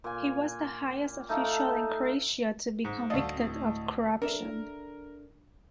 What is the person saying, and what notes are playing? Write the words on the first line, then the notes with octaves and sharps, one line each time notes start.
He was the highest official in Croatia to be convicted of corruption.
A#2 G#5
A3 D#4 A4 F5
G#2
D2 D5 D#5 F5 A5
A2 C4
D4 A4 A#4 E5